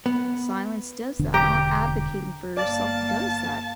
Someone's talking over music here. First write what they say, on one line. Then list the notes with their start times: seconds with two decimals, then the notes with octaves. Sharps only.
Silence does that, not advocating for yourself does that.
0.06 B3
1.19 E1 D3 D4
1.34 G4 A#5 D6
2.57 G1 A#3 D5 F5 A5